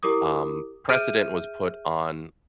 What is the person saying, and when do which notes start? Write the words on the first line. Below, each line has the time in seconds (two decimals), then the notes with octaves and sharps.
um, precedent was put on,
0.03 E4 G4 A#4 D6 D#6
0.89 G#4 E5 F6 G6 D7 D#7